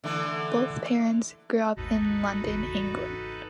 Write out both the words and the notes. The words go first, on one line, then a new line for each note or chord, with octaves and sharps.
Both parents grew up in London, England.
D3 E3 A3
G#1 D#2 G#2 D#4 F#4 A4 B4
G#1 E2 C#3